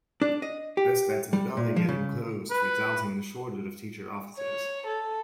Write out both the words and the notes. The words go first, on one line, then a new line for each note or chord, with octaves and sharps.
This led to the building getting closed, resulting in a shortage of teacher offices.
D4
D#5
G4
G3
A#2
F3
C#3
B4
C#5
A4